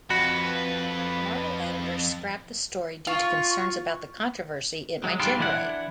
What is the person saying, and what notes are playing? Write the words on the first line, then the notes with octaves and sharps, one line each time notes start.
Marvel editors scrapped the story due to concerns about the controversy it might generate.
F2 F#4 B4
F4 C#6
F#3 G#3
G#2 G3 D4 F4
E3 D4 E4 F#5